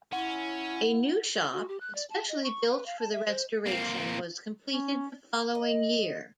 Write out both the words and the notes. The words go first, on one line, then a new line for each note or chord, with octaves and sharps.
A new shop, especially built for the restoration, was completed the following year.
C#4 E4 F#5
F#4
G4
F#6
D5
A5
D#5
C#6
B4
F5
A5
E5
C5
A#3 C4
C#4
D#5